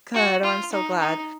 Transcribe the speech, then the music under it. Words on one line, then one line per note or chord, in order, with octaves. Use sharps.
Good. Oh, I'm so glad.
F#4
F4
D#4
D#4